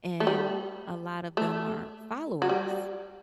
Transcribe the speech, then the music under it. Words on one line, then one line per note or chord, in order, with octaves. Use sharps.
and a lot of them are followers,
A3
G3
A3
F#3
G3